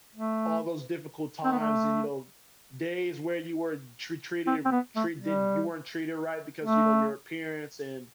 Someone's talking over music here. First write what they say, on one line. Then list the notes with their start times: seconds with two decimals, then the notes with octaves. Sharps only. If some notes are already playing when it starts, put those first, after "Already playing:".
all those difficult times and, you know, days where you were tr treated treated you weren't treated right, because, you know, your appearance, and
0.15 A3
1.44 C4
1.52 B3
1.59 A3
4.47 C4
4.65 C4
4.72 B3
4.96 A3
5.20 G3
6.63 A3